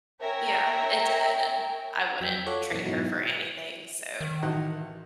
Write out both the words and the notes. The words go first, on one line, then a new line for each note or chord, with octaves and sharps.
Yeah, it did, and I wouldn't trade her for anything, so,
A#4 C#5 E5 G5 G#5 A#5
F2 F#3 G5 E6 B6
F4 A4 C#5 F#5 D6
F#2 A#2 E3
G#2 B2 F#3 D#4 E4 F#4
D#3
A1 D#4 F#4